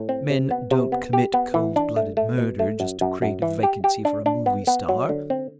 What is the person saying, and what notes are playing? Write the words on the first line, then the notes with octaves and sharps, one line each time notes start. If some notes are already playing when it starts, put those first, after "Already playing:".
Men don't commit cold-blooded murder just to create a vacancy for a movie star.
Already playing: A2
C4
C3
B3
C3
B3
G4
B3
E3
D4
A3
A3
B2
A3
F#2
F#2
F#2
E3
G4
G4
D4
D4
B3
B3
F#3
D3
C4